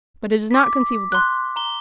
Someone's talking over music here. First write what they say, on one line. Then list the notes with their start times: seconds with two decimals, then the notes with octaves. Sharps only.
But it is not conceivable.
0.51 D6 B6
1.12 C6 F#6
1.56 A#5 G7